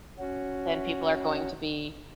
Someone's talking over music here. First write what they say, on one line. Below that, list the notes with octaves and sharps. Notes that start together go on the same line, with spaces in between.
then people are going to be
C#4 F#4